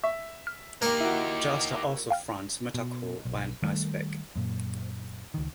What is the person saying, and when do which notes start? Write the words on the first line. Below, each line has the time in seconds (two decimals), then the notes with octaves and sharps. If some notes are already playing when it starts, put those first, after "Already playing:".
Jasta also fronts metalcore band Icepick.
0.04 E5 C#6
0.47 F6
0.82 A#3 D#4 G4 A#4
1.00 E4 F#4
2.10 F5 G5 F6
2.74 B2
3.25 B1
3.62 D#3 G3 A3
4.36 F#2 A#2
5.34 C#2 D#3